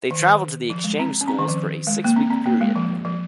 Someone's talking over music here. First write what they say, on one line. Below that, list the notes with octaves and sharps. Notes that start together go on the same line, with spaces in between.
They travel to the exchange schools for a six-week period.
D#3
F3
G#3
C4
C#4
C4
D#3
F3
G#3
A#3
C4
C4
A#3
G#3
F3
F3